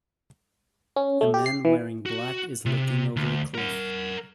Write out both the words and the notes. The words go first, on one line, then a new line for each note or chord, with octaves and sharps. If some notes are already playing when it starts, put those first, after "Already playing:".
A man wearing black is looking over a cliff.
C#4
A3
G4
C7
E3
F#4
C3
D2
A#4 F#5